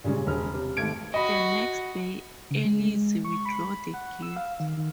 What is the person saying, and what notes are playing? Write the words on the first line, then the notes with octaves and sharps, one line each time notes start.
The next day Ailes withdrew the gift.
A#2 C#3 G3 G#3 C#4
E1 C#3 F6
C3
G#1 A3 G#6 D7
F#4 D#5 B5
C#3
G#3
C#6
B5
F#5
E6
F5
D#3
D#3